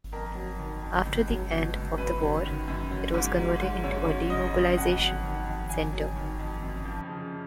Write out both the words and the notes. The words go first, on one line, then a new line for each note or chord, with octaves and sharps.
After the end of the war, it was converted into a demobilization center.
F2 A#4
F#3
D#3
F2
C#2
F#3
B2
C#2
F#2 B4
F#3
D#3
F#2
F#3
G#2
F#3
G#2
F#2 C#5
F#3
C#3 D#5
F#2
F2 F#5
F#3
D#3
F2
F2 G#5
F#3
D#3
F2
F#2
F3
C#3